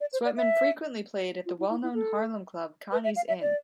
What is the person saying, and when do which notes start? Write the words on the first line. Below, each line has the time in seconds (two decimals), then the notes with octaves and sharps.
Sweatman frequently played at the well known Harlem club Connie's Inn.
0.01 D5
0.13 C5
0.25 D5
0.37 E5
1.46 F4
1.59 E4
1.70 E4
1.83 E4
1.94 A4
2.92 B4
3.04 E5
3.16 F5
3.28 E5
3.41 D5